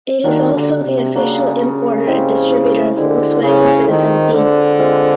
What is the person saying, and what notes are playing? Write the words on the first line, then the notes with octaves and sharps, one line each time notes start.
It is also the official importer and distributor of Volkswagen for the Philippines.
D#3 G3 A#3 D4 F#4
D3
C3
C#3 G3 A#3 D4 F#4
G#3 C4 E4 G4
D3 G#3 C4 E4 G4
C#3
D#3 G#3 C4 F4 A4
D3
G#3 C4 F4 A4